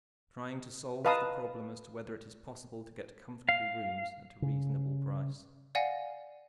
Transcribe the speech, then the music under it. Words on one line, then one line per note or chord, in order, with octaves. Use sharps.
"Trying to solve the problem as to whether it is possible to get comfortable rooms at a reasonable price."
B4 D#5 F5 A5 A#5 D#6
F5
C#3
D5 F5 F#5 G#5 A#6